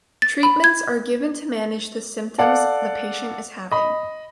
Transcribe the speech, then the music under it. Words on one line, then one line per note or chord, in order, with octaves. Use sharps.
Treatments are given to manage the symptoms the patient is having.
A6
B5
G#6
A4 D5 F5 F#5
D#5 B5